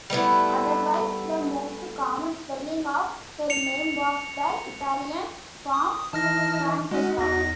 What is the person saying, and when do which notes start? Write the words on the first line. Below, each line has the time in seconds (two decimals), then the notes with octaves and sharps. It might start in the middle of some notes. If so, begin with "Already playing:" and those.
Otherwise, the most common spelling of her name was the Italian form, Francesca.
0.10 G3 A3 B3 E4
3.50 C#7 F7
5.73 D#6
6.13 E3 D#4 A5 F6 A#6
6.91 G#3 C#4 D#4 F#4
7.18 E2 A#6